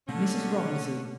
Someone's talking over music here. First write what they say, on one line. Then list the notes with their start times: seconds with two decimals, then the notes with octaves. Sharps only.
Mrs. Romsey.
0.08 B2 D3 A3 A#3 C#4